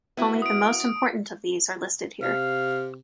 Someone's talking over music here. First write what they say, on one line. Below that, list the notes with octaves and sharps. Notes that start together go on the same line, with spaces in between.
Only the most important of these are listed here.
B3 E4 F#4
D#6 D7
C3 F5